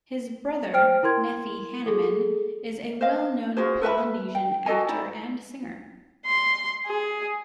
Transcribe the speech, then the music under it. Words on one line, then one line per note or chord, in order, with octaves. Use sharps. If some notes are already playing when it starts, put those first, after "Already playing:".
His brother Nephi Hannemann is a well known Polynesian actor and singer.
C5 G5 F6 D7
E4 A#4 C6 G#6
G#4 A4
C5 D#5 F5
F4 F#4 G#4 C5
A4 B4 E5 B5
G5
F#4 A4 D#5 G#5
D#4 E4 D5
C6
G#4